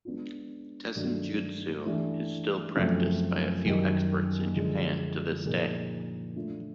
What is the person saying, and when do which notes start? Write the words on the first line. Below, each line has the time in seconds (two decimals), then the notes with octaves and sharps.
"Tessenjutsu" is still practiced by a few experts in Japan to this day.
0.05 G#3 B3 D4 F4
0.95 G2 D#3 F#3 A3 D4
1.86 E3 A3 D4 G4
2.76 F#2 C#3 F3 A3 C4
3.66 F#2 D#3 G3
4.56 D3 F3 G#3
5.46 A#2 F3 A#3 D#4 G#4
6.36 A3 D4 F4